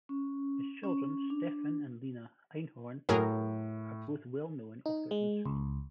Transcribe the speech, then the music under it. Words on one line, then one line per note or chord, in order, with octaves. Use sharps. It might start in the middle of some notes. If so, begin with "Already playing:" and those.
His children, Stefan and Lena Einhorn, are both well-known authors in Sweden.
C#4
C#4
D4
A2 F#3 G#4 A#4
D#4
G#3
C#2